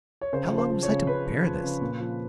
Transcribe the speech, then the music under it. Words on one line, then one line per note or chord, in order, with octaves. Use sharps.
How long was I to bear this?
C#5
C#3 C5
F3
C5
F3
C#5
C#3
C#3 B4
F3
F3
C#3
A#2
F3